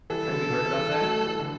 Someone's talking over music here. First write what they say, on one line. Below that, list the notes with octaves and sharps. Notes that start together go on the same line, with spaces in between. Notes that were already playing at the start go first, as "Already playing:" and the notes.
have you heard about that?
E3 G3 A4
D3 F#3
C#3 E3
E3 G3
F#3 A3
E3 G3
D3